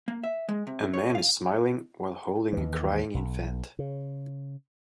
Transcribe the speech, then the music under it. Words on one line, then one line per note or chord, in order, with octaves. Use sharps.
A man is smiling while holding a crying infant.
A#3
E5
G#3
C3
C#5
F5
D#2 E3
B1
C#3